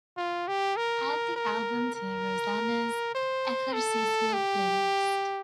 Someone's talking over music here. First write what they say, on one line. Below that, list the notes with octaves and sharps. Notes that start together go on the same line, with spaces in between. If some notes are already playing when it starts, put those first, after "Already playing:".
Add the album to rosanna's ejercicio playlist.
F4
G4
A#4
A#4
A#4
C5
A4
G4